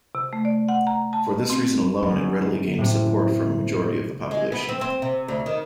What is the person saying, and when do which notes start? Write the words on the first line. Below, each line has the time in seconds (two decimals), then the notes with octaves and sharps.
For this reason alone it readily gained support from majority of the population.
0.15 C3
0.33 A3
0.45 D5
0.69 F#5
0.87 A#5
1.13 A5
1.50 C4
2.03 F#2
2.78 A2 C3
4.31 G#3
4.52 B3
4.69 C4
4.81 C4
5.02 C3
5.28 D2
5.46 D#3